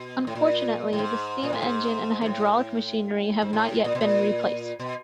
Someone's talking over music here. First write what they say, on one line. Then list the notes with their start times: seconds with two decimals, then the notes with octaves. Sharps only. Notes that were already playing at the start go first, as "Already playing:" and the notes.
Unfortunately, the steam engine and hydraulic machinery have not yet been replaced.
Already playing: B2
0.27 A2
0.35 A#2
0.93 A2
0.99 G#2
1.43 A#2
1.53 A2
1.62 G#2
2.21 G#2
2.26 A2
3.42 G#2
3.53 A2
3.84 A#2
3.95 B2
4.01 A#2
4.80 B2